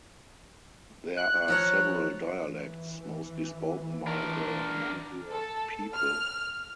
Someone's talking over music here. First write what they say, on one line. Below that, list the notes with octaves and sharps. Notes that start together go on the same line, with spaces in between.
There are several dialects, mostly spoken by the Monguor people.
F#6
F3 A#4 C#5
E3
D4 A#4
A4
F6